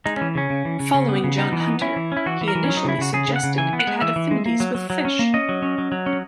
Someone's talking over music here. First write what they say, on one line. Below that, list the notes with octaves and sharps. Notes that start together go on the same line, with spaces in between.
Following John Hunter, he initially suggested it had affinities with fish.
G#3 D#4
E3 C#4
C#3 C#4
C#3
E3
C#3
C#3
B3
C#3
B3 D#4
E3
D#4
B3
C#4 E4
E3
C#4 E4
E3 F#4
E3
A#4
E3
C#4
F#3
D#4
C#3 E4
C#3 F#4
C#3 G#4
C#3
F#5
C#3
E3 G#5
B3
F#5
G#3
E3 E5
E3
G#3
A#3
F#3
F#3
F#3
C#4
A#3
C#4 D#5
F#3
C#4
F#3
F#3
C#4